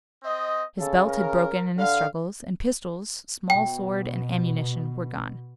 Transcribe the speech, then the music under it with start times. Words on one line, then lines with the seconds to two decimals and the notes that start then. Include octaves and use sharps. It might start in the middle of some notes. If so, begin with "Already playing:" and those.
His belt had broken in his struggles, and pistols, small sword and ammunition were gone.
0.23 C4 D#5
0.79 C#3 A4
1.08 A#4
1.78 D3 F5
3.50 B2 G5